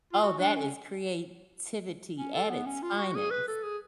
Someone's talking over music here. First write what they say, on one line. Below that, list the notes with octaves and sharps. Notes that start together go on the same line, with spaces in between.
Oh, that is creativity at its finest.
F4
F#4
D4
C#4
C#4
A4
B3
C#4
F4
F#4
G#4
B4
A4
G#4